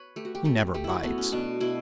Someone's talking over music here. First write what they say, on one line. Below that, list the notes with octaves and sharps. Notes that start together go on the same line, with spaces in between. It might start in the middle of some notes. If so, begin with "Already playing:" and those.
"He never bites."
Already playing: B4 C#5
A3 G4
F#4
G4
A3 G4
A3 G4
E4
F#4
A3 B3
C#4
B2 D4
B2 E4